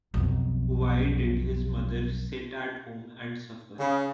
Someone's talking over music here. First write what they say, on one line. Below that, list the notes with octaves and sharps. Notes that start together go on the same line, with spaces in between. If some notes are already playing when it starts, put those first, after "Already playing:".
Why did his mother sit at home and suffer?
B1 F2
C#3